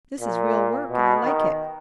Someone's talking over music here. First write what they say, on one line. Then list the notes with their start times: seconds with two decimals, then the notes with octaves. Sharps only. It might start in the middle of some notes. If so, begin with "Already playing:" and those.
This is real work, and I like it.
0.20 A#2
0.89 B2
1.24 D#3